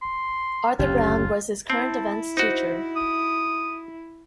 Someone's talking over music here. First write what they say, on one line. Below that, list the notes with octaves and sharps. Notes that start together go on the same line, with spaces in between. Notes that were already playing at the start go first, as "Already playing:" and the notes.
Arthur Brown was his current events teacher.
C6
F#1 D2 C#4 F4 G4
C4 E4 A5
D#4 F#4 C5
D#6